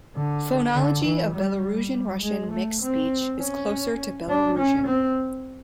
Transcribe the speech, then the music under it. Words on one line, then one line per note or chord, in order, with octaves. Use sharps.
Phonology of Belarusian-Russian mixed speech is closer to Belarusian.
D3
D3
E3
G3
G3
G#3
A3
C4
C#4
D4
C#4
C4